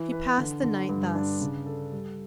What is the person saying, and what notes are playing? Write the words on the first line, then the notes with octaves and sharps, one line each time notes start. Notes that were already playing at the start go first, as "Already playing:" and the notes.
She passed the night thus.
Already playing: E3
B4
D3
D3
G2
D4
C#3
A4
G3